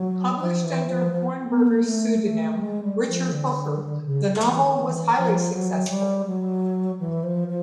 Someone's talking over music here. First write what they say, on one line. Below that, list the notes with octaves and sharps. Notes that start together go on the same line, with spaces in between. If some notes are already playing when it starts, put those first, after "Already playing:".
Published under Hornberger's pseudonym, Richard Hooker, the novel was highly successful.
Already playing: F#3
F3
E3
F3
F3
B3
A#3
A3
A3
G#3
G3
F3
D3
C#3
E3
D#3
E3
F3
F#3
G3
F#3
E3
F3
F3